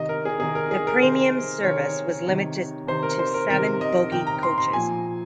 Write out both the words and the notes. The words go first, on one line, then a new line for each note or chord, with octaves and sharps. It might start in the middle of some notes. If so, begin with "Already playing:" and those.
The premium service was limited to seven bogie coaches.
Already playing: C3 D#3 D#5
A#4
G#4
C3 D#3 G#4
A#4
G#4
A#4
C3 D#3 C5
C3 D#3 C#5
C3 D#3
C3 D#3 C5
A#4
C5
A#4
C3 D#3 A#4
D#5
C3 D#3 G5
A#5
C6
C6
A#2 F3 G#5